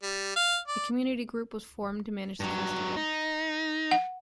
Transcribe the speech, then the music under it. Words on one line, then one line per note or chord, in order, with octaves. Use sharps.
A community group was formed to manage the festival.
G3
F5
D5
G2 F#3
D#4
F#5